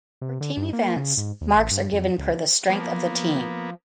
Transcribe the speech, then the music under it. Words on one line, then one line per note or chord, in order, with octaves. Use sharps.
For team events, marks are given per the strength of the team.
C3
D3
G2
A#3
C#3
G#2
D#2
A1
G2
F2
C#2
F3 A#3 B3